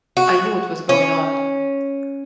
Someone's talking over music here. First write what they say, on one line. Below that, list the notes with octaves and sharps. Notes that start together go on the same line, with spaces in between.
I knew what was going on.
F#4
C#4